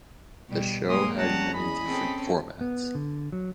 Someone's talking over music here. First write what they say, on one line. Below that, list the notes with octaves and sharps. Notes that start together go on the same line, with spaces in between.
The show had many different formats.
B2 G3
F#3 G#3 A#3 G#5 C6 D#6
G3 C#4 F#5 A5 A#5
E2 G#4 D#5 B5
C4 C#4 A4
B3
D3
F#3